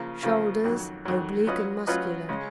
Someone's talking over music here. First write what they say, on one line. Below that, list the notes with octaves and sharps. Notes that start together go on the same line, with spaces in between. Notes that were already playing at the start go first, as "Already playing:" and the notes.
SHOULDERS--Oblique and muscular.
Already playing: C#3 F3 A#3 F4
C#3 F3 A#3 F4
F2 D#3 F#3
F2 D#3 F#3
F#3 C#4 F4 B4 D#5
F#3 C#4 F4 B4 D#5
C#3 G#3 C#4